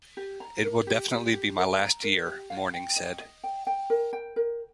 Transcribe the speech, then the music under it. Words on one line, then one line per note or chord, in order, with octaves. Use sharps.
"It will definitely be my last year", Mourning said.
G4
A#5
A#4
G4
G4
G4
A#4
A#5
A#4
G4
F5
G5
D#5
D#5
G5
G5
A#4
G5
A#4